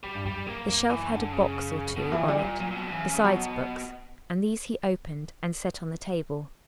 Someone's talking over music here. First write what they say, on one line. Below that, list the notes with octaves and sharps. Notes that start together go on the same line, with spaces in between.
The shelf had a box or two on it, besides books, and these he opened and set on the table.
D3 G3
G2
F#2 G3
F#2 A#3
F#2 A#3
E3
D3
C#3
E3
B2 D3
E3
A#2
G3
A#2
G3
A#2 F#3
A#2
B2
D3
C#3 E3
C#3
B2 F#3